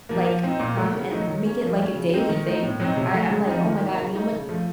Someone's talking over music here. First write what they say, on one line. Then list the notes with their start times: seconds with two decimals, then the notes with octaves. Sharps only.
like, come and make it, like, a daily thing, I I'm like, "Oh my God, how much"
0.09 F3 A#3
0.26 F3
0.44 C4 D#4
0.60 A#2
0.77 F#3 A3
0.94 C#3
1.11 F#3 A3 D#4
1.28 D#3
1.44 A#3 C#4
1.62 F3
1.78 A3 C#4
1.95 C#3
2.12 A3 C4 D#4
2.29 D#3
2.46 A3 D#4
2.63 A2
2.80 F#3 C4 D#4
2.97 C3
3.13 F#3 A3
3.30 C#3
3.47 F3 C4 D#4
3.64 D#3
3.81 A#3 D#4
3.98 C#3
4.15 A3 D#4
4.32 C#3
4.49 F3 A3